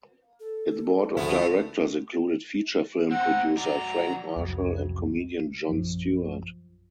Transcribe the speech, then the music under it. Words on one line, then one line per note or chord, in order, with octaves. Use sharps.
Its board of directors included feature film producer Frank Marshall and comedian Jon Stewart.
A4
D2 F3 G#3 A3 B3 E4
C4 D#4 F#5
F#3 D5 A#5
C2 F2 F#3
A#1 F#2 F3